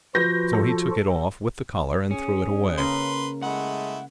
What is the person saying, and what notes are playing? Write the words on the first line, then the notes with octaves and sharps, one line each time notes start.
So he took it off with the collar and threw it away.
F3 F4 F#4 B4 G6 A#6
A4
C#4 G#4
C#3 A#3 B4 C6
G#3 A3 E4 F#5